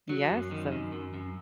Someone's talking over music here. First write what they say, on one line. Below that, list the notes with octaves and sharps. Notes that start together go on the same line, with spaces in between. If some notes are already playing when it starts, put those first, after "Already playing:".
Yes, it's a v
F#3
F#2
D#3
F#2
F#2
F#2